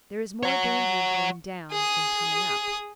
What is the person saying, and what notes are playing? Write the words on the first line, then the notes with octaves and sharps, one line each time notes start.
There is more danger going down than coming up.
C#5 F#5
G#4 D#6